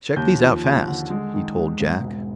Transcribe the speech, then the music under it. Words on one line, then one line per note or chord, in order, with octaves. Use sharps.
"Check these out fast," he told Jack.
D#2 G6
F3
D#2
D3
G#3
D#3
G#3
G#1
E1